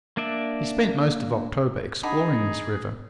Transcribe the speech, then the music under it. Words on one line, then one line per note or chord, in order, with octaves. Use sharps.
He spent most of October exploring this river.
A#3 D4 D5 E5
D4 D#4 G#4 F#5 A5 B5